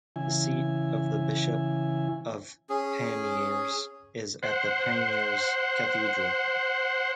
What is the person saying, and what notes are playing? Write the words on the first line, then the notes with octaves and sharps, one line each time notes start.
The seat of the Bishop of Pamiers is at the Pamiers Cathedral.
C#3 E3 E4 G#5
C#4 G#4
C5 F#5